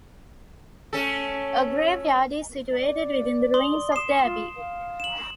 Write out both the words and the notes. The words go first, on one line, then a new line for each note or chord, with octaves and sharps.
A graveyard is situated within the ruins of the Abbey.
A3 C#4 A4
D5
C6 D#6 G7
C7 E7
F4
F5
E7 F#7